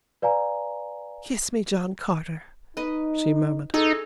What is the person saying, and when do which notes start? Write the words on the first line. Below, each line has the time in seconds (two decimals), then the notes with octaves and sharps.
"Kiss me, John Carter," she murmured.
0.22 B4 D5 F5 G#5 A#5
2.77 D#4 B4 D#5
3.74 D#4 G#4 A4 C#6